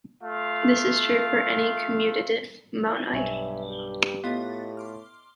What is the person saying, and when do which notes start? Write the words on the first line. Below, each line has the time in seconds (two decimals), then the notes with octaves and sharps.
This is true for any commutative monoid.
0.23 A3 F4 F5
3.12 B1 G2 C#5 E5 G#5
3.68 G4
4.24 A2 B3 F4 D#5 A6
4.77 C6 D6 F6